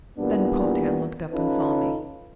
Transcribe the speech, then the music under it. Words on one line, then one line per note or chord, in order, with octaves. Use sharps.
Then Potan looked up and saw me.
E2 A#2 G3 B3 D4
C#4 D#4 F4 A4 B4